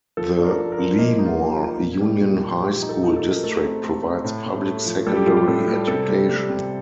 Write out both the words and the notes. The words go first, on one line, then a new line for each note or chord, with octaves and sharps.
The Lemoore Union High School District provides public secondary education.
F3 A4
D4
A#4
F3
A#4
F3
A#3 D#5
D#4
F4
A#3
F3
A#2
G3
A#2
A#2
F3 G4
D#4
A4
D#4
A4
D#4
A#4
A3 A4
C4
A3
C4
A2
A2
A3
F3
G3 A4
G4
A2 F4
G4
A2 A4
G3
C3 A4
G3
G3
C3